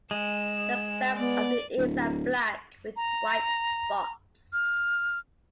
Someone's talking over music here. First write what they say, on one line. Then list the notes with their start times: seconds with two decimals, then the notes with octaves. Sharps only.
The backs of the ears are black with white spots.
0.11 G#3 E7
1.18 B3 D5
1.78 D1
2.96 A#5
4.53 F6